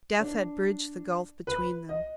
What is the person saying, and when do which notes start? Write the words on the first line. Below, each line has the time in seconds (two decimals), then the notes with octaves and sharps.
Death had bridged the gulf between them.
0.20 D4
1.47 B4
1.89 D#5